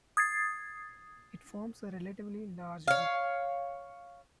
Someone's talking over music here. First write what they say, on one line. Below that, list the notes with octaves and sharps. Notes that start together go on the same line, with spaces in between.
It forms a relatively large group.
D#6 G#6 A6 C7
C#5 F5